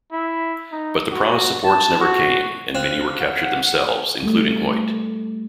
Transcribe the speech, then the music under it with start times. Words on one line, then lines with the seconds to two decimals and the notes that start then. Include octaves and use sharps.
But the promised supports never came and many were captured themselves, including Hoyt.
0.12 E4
0.72 D#4
1.12 F#4
1.64 A5
2.01 F#4
2.75 C4 F5 F#6
3.19 F#5
4.23 G3 A3